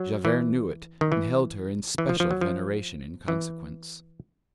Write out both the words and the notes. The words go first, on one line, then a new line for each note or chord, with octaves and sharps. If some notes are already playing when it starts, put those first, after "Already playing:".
Javert knew it, and held her in special veneration in consequence.
Already playing: F#3
E3
D#3
E3
E3
F3
F3
F#3
F3
E3